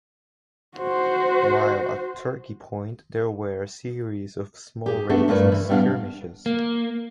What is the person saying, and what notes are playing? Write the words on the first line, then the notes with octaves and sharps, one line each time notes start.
While at Turkey Point there were a series of small raids and skirmishes.
F#4 C5
G4 G#4
A3 B3 D4 F#4 A4
G2 A3 A#3 B4 D5
E3
A2 G3 B3 D4 F5
A#3